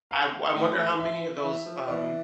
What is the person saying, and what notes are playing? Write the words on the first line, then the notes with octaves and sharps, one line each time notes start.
I'm I wonder how many of those, um
F5
A2
A2
E5
E3
F3
E3 D5